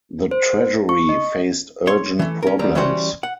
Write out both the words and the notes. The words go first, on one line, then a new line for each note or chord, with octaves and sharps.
The Treasury faced urgent problems.
C5
C#6
D#5
C#5 C6
E3 A3
C#4 A#4
D#2 G3 A#5
E3 G3 C#4 F#4 C5
F#5